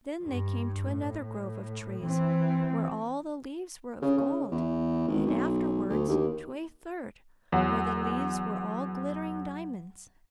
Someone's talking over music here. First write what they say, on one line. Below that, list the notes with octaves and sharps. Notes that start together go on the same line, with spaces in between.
Then they came to another grove of trees, where all the leaves were of gold; and afterwards to a third, where the leaves were all glittering diamonds.
G2
A2
E3 C4
C#3
C#3
E2
G#1
B1
D2
D#2
E2 F#3 F#5